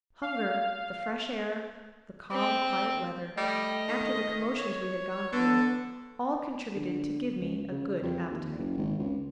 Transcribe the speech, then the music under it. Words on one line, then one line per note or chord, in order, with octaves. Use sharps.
Hunger, the fresh air, the calm quiet weather, after the commotions we had gone through, all contributed to give me a good appetite.
F5
C4
G3 A3 D#5
D#3
C#5
D3 B3 A4
D3
C#2
C#3
F2
D#2
F#1
G#1
C#2